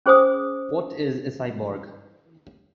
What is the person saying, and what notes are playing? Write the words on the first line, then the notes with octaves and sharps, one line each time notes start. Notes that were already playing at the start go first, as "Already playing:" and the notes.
What is a cyborg?
C#4 G#4 C5 G#5 D#6